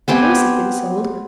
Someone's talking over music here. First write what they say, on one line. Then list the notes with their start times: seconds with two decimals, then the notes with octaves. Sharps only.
The horse has been sold.
0.08 B3 C4 G4 G#5